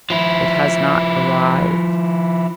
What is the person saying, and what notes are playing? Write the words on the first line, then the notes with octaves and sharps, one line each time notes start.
It has not arrived.
F3 E4